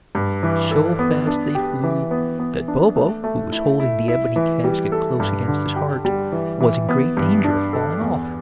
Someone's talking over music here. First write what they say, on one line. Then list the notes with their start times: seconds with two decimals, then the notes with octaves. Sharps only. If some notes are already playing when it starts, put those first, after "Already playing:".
So fast they flew that Bobo, who was holding the ebony casket close against his heart, was in great danger of falling off.
0.15 G2
0.43 E3
0.71 A4
0.99 B3
1.27 D4
1.55 G4
1.83 E3
2.11 B3
2.39 B3
2.68 D4
2.96 A3
3.24 A3
3.52 E4
3.80 E4
4.08 E4
4.36 E3
4.64 G3
4.92 A4
5.20 G2
5.48 D3
5.76 G4
6.05 G3
6.32 E3
6.60 E3
6.89 B3
7.17 G2
7.44 D4
7.73 A4
8.01 E2